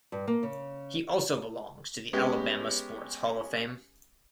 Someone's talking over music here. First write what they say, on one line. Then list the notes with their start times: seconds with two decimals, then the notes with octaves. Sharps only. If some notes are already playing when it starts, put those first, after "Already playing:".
He also belongs to the Alabama Sports Hall of Fame.
0.12 G2
0.28 A#3
0.43 C#3
2.13 G#3 B3 C#4 G4